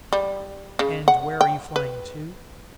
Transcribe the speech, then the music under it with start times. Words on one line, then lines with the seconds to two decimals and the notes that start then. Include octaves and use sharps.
"And where are you flying to?"
0.13 G3
0.79 C#3
1.08 F#5
1.41 G5
1.76 B4